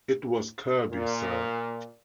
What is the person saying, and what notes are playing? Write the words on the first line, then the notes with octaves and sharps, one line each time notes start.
It was Kirby, sir.
A#2